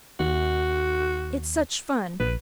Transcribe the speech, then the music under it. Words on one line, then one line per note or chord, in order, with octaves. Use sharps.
It's such fun!
D#2 F#4
A#1 B4